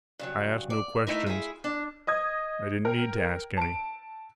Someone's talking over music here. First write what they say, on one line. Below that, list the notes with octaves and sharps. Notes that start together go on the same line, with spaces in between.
I asked no questions; I didn't need to ask any.
G2 C#3 F#3
D5
A3 D#4 E4 A#4
E4 F4 G4 G#4
D4
D#5 D#6 G#6
A#4 G5
A5 D7